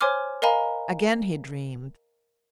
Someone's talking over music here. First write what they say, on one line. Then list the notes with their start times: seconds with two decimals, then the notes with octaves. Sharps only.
Again he dreamed.
0.01 C5 C#5 G#5 C6 D6 F6
0.42 A#4 D#5 F5 G#5 A#5 B5